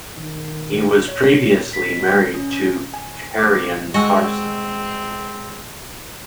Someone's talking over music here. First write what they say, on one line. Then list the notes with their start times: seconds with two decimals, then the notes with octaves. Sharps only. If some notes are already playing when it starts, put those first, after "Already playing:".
He was previously married to Karyn Parsons.
0.17 D#3
1.08 C#5
1.73 B6
2.34 C#4
2.94 G#5
3.39 D6
3.94 G#3 C4 F#4 D#5 G#5 E6